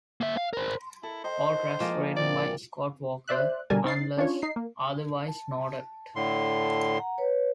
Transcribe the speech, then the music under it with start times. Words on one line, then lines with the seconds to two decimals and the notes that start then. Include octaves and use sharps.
All tracks written by Scott Walker, unless otherwise noted.
0.21 A#3 E5
0.37 F5
0.53 A#4 C5
1.03 E4 A4
1.24 C5 D#5 G5
1.80 F3 G#3 A#3 G#5
1.94 D4
2.16 A#2 E3 C4 D5
3.28 C5 D5 E5 F#6
3.70 B2 D3 G3 A#4 G#5 A5
3.84 C4 D#4 A6 C7
4.17 C#4 D4 F4 C#5
4.42 D#4 C7
4.56 A#3
5.28 A5
6.16 A2 D3 C6
6.99 F#5 A#5
7.18 B4 C#5